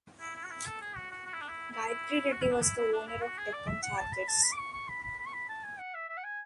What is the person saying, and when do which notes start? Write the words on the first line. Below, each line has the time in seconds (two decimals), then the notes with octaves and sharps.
Gayatri Reddy was the owner of Deccan Chargers.
0.20 E4
0.35 E4
0.44 F#4
0.51 E4
0.66 A4
0.81 G#4
0.96 F#4
1.11 F#4
1.26 F#4
1.33 E4
1.42 D4
1.48 E4
1.71 E4
1.86 E4
2.32 F#4
2.42 E4
2.52 D4
2.62 E4
2.77 E4
2.93 D4
3.07 E4
3.22 F#4
3.37 G#4
3.53 D5
3.67 E5
3.83 F#5
3.98 A5
4.13 B5
4.28 A5
4.43 B5
4.52 D6
4.58 C#6
4.73 C#6
4.88 B5
5.03 B5
5.19 B5
5.26 C#6
5.33 B5
5.49 A5
5.64 G#5
5.79 F#5
5.94 E5
6.09 E5
6.17 F#5
6.24 G#5